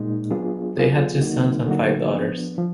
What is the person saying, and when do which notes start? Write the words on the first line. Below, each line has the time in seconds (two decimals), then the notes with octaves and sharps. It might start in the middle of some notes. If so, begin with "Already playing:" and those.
They had two sons and five daughters.
Already playing: A#2 G#3 D#4
0.30 F#3 B3 D4 F4 G#4
0.76 F#3 B3 D4 F4 G#4
1.21 D3 F#3 A#3 D#4 F#4
1.67 D3 F#3 A#3 D#4 F#4
2.12 F3 B3 D4
2.58 F3